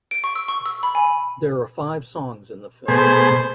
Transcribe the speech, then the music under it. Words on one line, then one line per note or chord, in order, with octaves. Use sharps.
There are five songs in the film.
D7
C#6
E6
C#6
E6
B5
G#5
B2 A3 G#4 C5